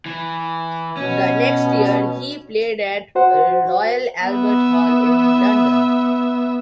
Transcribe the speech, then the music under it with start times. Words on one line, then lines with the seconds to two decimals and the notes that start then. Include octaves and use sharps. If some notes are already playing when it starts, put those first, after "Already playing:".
The next year, he played at Royal Albert Hall in London.
0.06 E3
0.97 B2 C#4
3.15 F#4 C5 F#5
4.26 B3 E5